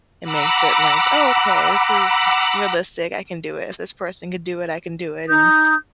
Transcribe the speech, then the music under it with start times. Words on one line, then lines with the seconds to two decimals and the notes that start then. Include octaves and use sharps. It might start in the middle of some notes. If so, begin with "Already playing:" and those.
It makes it like, "Oh, okay, this is realistic, I can do it. If this person can do it, I can do it." And,
0.23 F#5 A#5 B5 D6 E6 F#6
5.28 D#4 D#6 G6